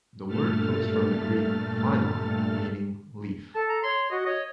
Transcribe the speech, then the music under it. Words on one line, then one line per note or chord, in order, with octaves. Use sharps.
The word comes from the Greek "phyllon", meaning "leaf".
G2 A#2 A3 A4 F6 A6
A4 A5
A#5
C#5 C6
F#4 D#5
C#5 D#5